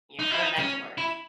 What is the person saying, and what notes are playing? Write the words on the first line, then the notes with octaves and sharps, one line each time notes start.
You're coming back to work.
D#4
E4
D#4
C#4
E4